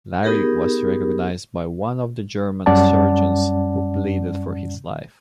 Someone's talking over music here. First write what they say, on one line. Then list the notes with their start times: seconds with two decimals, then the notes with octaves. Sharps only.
Larrey was recognized by one of the German surgeons, who pleaded for his life.
0.23 B3 D#4 G4 G#4 A#4
2.66 F#2 G3 C#4 D5 F#5 A5